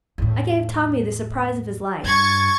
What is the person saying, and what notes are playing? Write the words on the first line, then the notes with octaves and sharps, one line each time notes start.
'I gave Tommy the surprise of his life.
E2 A2
G2 C#6 G#6 A6